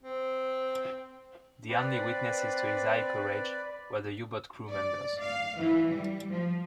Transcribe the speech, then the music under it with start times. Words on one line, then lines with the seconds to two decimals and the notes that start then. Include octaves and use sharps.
The only witnesses to his high courage were the U-boat crew members.
0.03 C4
1.69 C4 B4 D5
4.70 D5
5.21 F5
5.58 E3
5.89 G3
6.31 F3